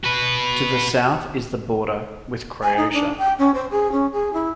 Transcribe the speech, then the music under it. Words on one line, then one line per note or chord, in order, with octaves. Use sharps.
To the south is the border with Croatia.
F#4 B4
G#5
D#4
D4
G5
C#4
C5
G#4
C#4
G#4
E4